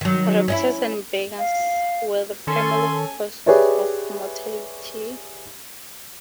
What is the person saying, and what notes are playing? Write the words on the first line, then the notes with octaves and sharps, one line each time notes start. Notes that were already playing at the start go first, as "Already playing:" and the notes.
Raptors and badgers were the primary causes of mortality.
D#3 F#3
C#4 D#4 E4
F5
D#3 C#4 A4 G#5 C6
G4 G#4 B4 C#5 D5 E5